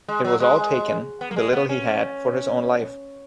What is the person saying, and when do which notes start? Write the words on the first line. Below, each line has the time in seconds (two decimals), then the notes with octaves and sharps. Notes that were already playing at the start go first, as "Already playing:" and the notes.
It was all taken, the little he had, for his own life.
0.08 G#3
0.25 F#3
0.40 G#3
1.21 B3
1.31 A#3
1.36 G#3
1.53 B3
1.69 C#4